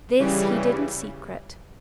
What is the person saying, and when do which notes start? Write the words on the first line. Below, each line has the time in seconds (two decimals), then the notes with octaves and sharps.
This he did in secret.
0.19 C#3 E3 G3